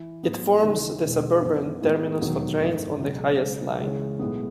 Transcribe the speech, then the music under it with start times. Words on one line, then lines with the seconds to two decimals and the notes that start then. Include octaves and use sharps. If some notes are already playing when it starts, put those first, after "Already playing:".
It forms the suburban terminus for trains on the Hayes line.
Already playing: E3
0.23 A2 F#3 B3
0.62 D#2 C#3 E3 A3
1.02 E1 E2 B2 G#3 D#4
1.42 F#2 E3 B3 D#4
1.81 A2 G#3 B3 E4
2.21 E1 D#2 D#3 F#3 B3
2.61 G#1 F#2 E3 A3 D#4
3.00 C#2 B2 F#3 C#4
3.41 C#2 C#3 G#3
3.80 C#2 C#3 E3 G#3 C#4
4.19 B1 A2 G#3 B3